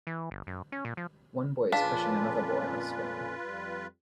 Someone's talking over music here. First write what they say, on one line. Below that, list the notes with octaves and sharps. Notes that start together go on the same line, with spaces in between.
One boy is pushing another boy on a swing.
E3
G1
F#2
C#4
A#2
F3
F2 A#2 C#4 D4 F4 G#4 B4 F5
F2 G3